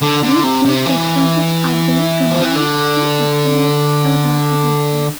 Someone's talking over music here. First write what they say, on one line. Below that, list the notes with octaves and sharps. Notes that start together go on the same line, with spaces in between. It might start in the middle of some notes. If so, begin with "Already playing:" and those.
These peak responses are then combined to estimate a total response.
D3
D3
C3
C3
E3
F3
E3
D3